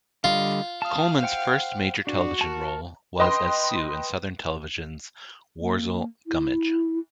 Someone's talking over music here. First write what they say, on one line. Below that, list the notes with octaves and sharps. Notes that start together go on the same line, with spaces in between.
Coleman's first major television role was as Sue in Southern Television's "Worzel Gummidge".
D3 G3 F4 D#5
F5 A5 D#6
C5 F#5 G5
D4 F#4
A#4 A5
B4 D#5 G5 C6
A#3
E4